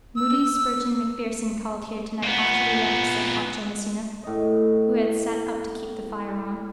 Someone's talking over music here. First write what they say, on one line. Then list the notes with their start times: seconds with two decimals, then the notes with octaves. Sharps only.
"Moody Spurgeon MacPherson called here tonight after you left," said Aunt Jamesina, who had sat up to keep the fire on.
0.17 E6
2.23 A#2 B3
4.23 A2 D#5